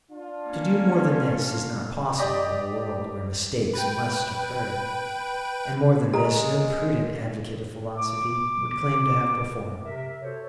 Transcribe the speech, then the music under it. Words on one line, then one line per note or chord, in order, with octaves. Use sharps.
To do more than this is not possible in a world where mistakes must occur; and more than this no prudent advocate of philosophy would claim to have performed.
D4 F4
A#3 C#4
G4 D5 D#5
B4 G5
G#3 G4 A4 A#5
D6
C3 A#4 E5
F#4 A4 C5 C#5